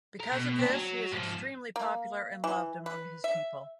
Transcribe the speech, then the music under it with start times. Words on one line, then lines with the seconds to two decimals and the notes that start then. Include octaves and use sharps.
Because of this, he is extremely popular and loved among his people.
0.20 A4 A#5
0.32 B2
0.59 C4 D4
0.73 F#3
1.12 G#2 F3
1.76 A#3
2.44 E3
2.86 B4
3.24 E5